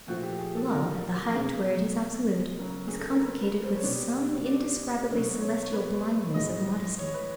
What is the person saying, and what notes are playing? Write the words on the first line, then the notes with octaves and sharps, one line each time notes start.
Love, at the height where it is absolute, is complicated with some indescribably celestial blindness of modesty.
A#2 F3 A3 F#4
G4
G#4
A4
A#4
B2 G#3 G#4
G#4
C#3 F#3 A3 A#4
G#4
A4
A#4
B4
B4
C5
C#5
B2 G3 D5
D5
D5
B2 F#3 A3 C5
C#5
B4
A2 E3 G#3 D#5
C#5
B4